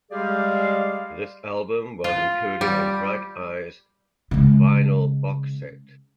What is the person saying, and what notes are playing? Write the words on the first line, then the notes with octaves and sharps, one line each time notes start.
This album was included in Bright Eyes' "Vinyl Box Set".
G3 G#3 G4 G#4 D5 F5
F4
G3
C#3 G#3